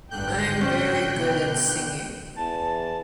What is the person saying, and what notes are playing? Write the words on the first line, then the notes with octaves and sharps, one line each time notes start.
I'm very good at singing!
G#1 G2 D3 G5 F#6 G6
A2 C#4 C5
B2
E2 A5